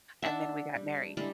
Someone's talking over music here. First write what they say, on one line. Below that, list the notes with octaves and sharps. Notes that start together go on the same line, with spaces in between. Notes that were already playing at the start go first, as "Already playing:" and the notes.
and then we got married.
D4 D5 E5 F#5
G3
D3 G3 G#3 E4